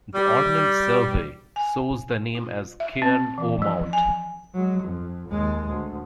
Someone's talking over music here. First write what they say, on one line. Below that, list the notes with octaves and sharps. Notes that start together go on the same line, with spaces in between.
The Ordnance Survey shows the name as "Cairn o' Mount".
G3
G#5
F4
E5
C4
E3
F3
G#5
F#3 G#3
F2
D#2 G#3
D2